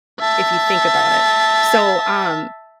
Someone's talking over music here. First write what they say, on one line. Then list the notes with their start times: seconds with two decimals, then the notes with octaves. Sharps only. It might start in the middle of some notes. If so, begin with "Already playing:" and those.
if you think about it. So, um,
0.20 E5 A5